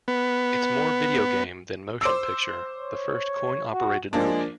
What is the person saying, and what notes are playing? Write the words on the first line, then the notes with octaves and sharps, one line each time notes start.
It's more video game than motion picture - the first coin-operated movie.
B3
C5 D6 E6
C#5
F#4
F3 G#3 A#3 D4